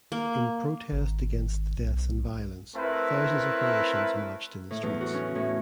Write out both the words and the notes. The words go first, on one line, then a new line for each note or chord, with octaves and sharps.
In protest against the deaths and violence thousands of Mauritians marched in the streets.
A#3
G#1
B1
A3 C4 E4 A#4 B4
A2
E2
F#4
C#4
A2